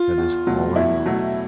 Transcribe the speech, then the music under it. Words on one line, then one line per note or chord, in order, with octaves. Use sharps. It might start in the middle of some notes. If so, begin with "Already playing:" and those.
That is all I know.
Already playing: F4
E2
B2 F#3 A3
E2 E4
B2 F#3 A3